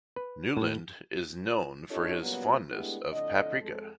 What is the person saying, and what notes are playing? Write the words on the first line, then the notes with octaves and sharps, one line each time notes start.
Newland is known for his fondness of Paprika.
B4
A2
C#4 D#4 F4 G4 A4 C#5
A#2 C#3 F#3 G3 B3
G#3 A3 B3 D4 E4 G4
F2 A2 D3 D#5
F2 G#3 A4